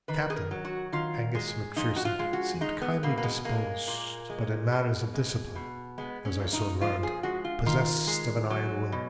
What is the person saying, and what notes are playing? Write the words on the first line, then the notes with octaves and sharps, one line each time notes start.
The captain, Angus MacPherson, seemed kindly disposed, but in matters of discipline, as I soon learned, possessed of an iron will.
D#3 B4
G#4
A#4
F#3
F#4
D#3 F4
G#3
F3 D#4
F#4
F4
G#3
F#4
G#3 D#4
B3
B2 A#3
A#3
G#3
G#3 A#3
A#2
G#3
B2
G#3
B2
G#3 B3
C#4
A#2
D#4
F3 F4
G#4
G#3 F#4
F4
D#3 F4
G#3
F#3
B2